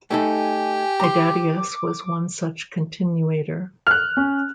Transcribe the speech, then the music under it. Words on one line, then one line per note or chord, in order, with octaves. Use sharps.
Hydatius was one such continuator.
A3 D#4 G4 A4 G#5
A#5 C6 D6
F6 F#6
C#4